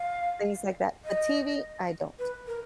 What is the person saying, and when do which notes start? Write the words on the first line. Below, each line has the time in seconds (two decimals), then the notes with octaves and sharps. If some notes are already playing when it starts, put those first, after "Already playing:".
things like that, a TV I don't.
Already playing: F5
1.04 D#5
2.19 B4
2.47 A#4